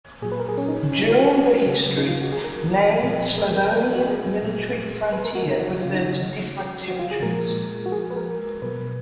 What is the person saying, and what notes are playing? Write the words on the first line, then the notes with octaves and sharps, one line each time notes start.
During the history, name Slavonian Military Frontier referred to different territories.
A#2 F#3 G#4
B4
A#4
G#4
C#4
D#4
C#4
D#4
F4
F#4
C#3 F#3
D#4
F4
F#4
G#4
A#4
A#2 F3 G#3
A#4
G#4
A#4
B4
A#4
F#4
G#4
A#2 F#3
B4
A#4
F#4
D#4
F#4
F#4
C#3 F#3 F4
D#4
F#4
F#4
F4
G#4
A#2 F3 G#3 A#4
F#4
G#4
B4
A#4
B2 F#3 B4